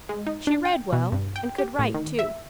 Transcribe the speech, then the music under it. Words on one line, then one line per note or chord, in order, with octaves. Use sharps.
She read well and could write, too.
G#3
D#4
D4
G5
B2
G2
G5
G4
A2
D#3
E5